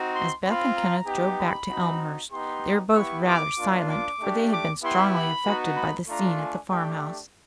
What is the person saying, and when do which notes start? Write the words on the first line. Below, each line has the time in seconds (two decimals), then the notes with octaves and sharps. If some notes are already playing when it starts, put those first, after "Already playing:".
As Beth and Kenneth drove back to Elmhurst they were both rather silent, for they had been strongly affected by the scene at the farm-house.
Already playing: C4 D#4 F#4
0.13 C6
0.43 C4 F4 B5
0.75 A#5
1.07 B3 D#4 G4
1.38 B5
1.70 C4 D#4 F#4
2.31 B3 D#4 G4 C6
2.94 B3 E4 G4 C#6
3.25 D6
3.57 A#3 D4 F4
3.89 D6
4.19 A3 D4 G4
4.52 D6
4.82 B3 E4 G4 C6
5.13 B5
5.45 B3 D#4 F#4
5.76 B5
6.08 A3 D4 F4 A#5
6.38 G#5
6.70 A3 D4 G4 G5